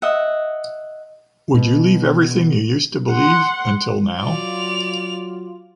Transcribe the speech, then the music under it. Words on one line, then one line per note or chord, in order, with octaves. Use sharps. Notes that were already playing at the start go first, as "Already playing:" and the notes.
Would you leave everything you used to believe until now?
D#5 E5 F#5
B2
F#5 C6
F#3 F4 D5 F7